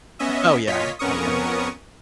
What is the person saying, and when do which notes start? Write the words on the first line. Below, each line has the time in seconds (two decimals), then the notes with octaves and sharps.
Oh yeah, oh yeah.
0.19 B3 C#4 D#5 E5
0.67 A#2 F4 C#5 D#5 B6
0.99 F2 B3 C#4 A#4 C#6 D#6